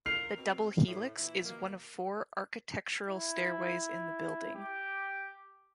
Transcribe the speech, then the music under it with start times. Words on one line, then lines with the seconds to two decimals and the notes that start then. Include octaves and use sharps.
The double helix is one of four ‘architectural’ stairways in the building.
0.06 D3 F4 A#4 F6 C7 F7
0.38 B2 C4
0.87 A2
1.17 A#2 E3 E4
1.44 B2 D#3 A#3
3.08 E4
4.55 G4